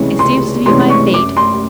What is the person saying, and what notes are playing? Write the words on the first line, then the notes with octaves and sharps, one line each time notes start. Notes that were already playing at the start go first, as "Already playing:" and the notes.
It seems to be my fate.
Already playing: C#2 C3 E3 G#3 C#4 C#6
C#2 C6
C3 E3 G#3 C#4 C6
C#6
F#2 D6
C6